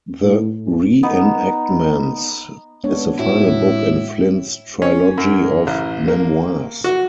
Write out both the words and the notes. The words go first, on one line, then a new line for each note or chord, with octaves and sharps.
"The Reenactments" is the final book in Flynn's trilogy of memoirs.
A2
B3 D#4
G#3 B3 D4 C#5
A2 E4 F#4
C#4
F#2
A1
A#3
F#4